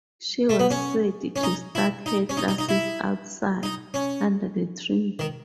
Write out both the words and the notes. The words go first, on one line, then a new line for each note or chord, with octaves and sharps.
She was said to start her classes outside, under the tree.
A3
B3
C#4
C#4
D#4
E4
D#4
C#4
D#4
D#4
D#4
E4
D#4
C#4
D#3